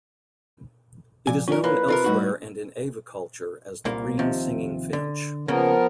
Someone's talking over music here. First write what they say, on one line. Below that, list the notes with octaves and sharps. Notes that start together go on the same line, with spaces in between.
It is known elsewhere and in aviculture as the green singing finch.
A#2 F3 G#5
C#4 F4 A#4 D5
A#3 E4 B4 C#5
C3 F4 A#4
A2 G3 A3 D#4 F#4
C2 A#2 A#3
D#2 C3 F3
D3
C#3 F3 A#3 B3 A#4